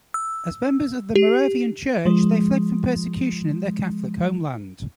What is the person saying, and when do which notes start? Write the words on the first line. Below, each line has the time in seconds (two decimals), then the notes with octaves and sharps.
As members of the Moravian Church, they fled from persecution in their Catholic homeland.
0.14 E6
1.16 G4
2.05 F3 G#3